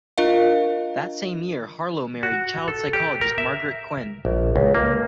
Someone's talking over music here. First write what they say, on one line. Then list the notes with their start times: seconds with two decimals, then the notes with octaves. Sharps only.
That same year, Harlow married child psychologist Margaret Kuenne.
0.18 D4 F4 A#4 D#5 F5
2.23 F#4
2.68 A4
2.93 G4
3.21 A#4
3.38 E5
4.25 A#1
4.56 C#2
4.75 A#3